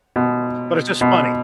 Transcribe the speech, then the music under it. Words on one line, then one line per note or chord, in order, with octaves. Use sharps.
But it's just funny.
B2
B2